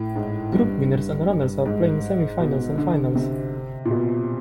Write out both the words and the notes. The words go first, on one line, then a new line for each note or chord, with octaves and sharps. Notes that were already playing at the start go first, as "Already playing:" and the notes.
Group winners and runners-up play in semi-finals and finals.
Already playing: A2
G#2
G2
G2
G#2
B2
D3
C3
A#2
B2